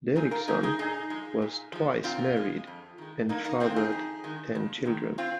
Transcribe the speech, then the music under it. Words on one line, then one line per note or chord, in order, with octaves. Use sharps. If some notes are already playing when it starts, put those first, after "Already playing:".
Derickson was twice married and fathered ten children.
A#2 D#4 G#4
F4 A#4
F3 G#3 D#4 G#4
D#4 G#4
A#2 D#4 G#4
F3 G#3
A#2
F3 G#3
A#2 C4 F4
F3 G#3
F2
D#3 G#3
F2 A#3 D#4
A#3 D#4
D#3 G#3 C4 F4
D#4 G#4
F2
D#3 G#3
F2
D#3 G#3
C4 F4